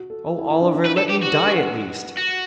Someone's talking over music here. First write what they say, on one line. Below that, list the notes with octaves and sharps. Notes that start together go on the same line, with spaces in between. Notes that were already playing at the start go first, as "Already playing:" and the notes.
Oh, Oliver, let me die at least!
Already playing: F#4
A4
E4
E4
D4
D4
B4
A4 B4
G4
F#4 G4
A4
B4
F#5
F#4